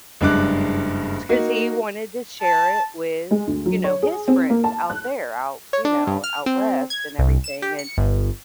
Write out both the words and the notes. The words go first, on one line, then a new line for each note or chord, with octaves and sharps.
it's 'cause he wanted to share it with, you know, his friends out there out, you know, out west and everything and
F#1 G2 G#3 D4 D6 F#6
A#3 D#4 F#4
A5
G#3
D2
F#3
C#5
G#4
C4
A#3
A5
F#6
C#5
D4
G2
F6
C4
G#6
C2
E7
G4
C#7
G1